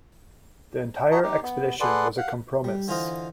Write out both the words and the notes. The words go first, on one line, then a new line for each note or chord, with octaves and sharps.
The entire expedition was a compromis.
F#4 D#5 A5 A#5
D#4 G4
B3
G#4 A4 B4 D5 F#5 C6
F5 F#5
G3
D3 E3 F4 C5 D#5 F5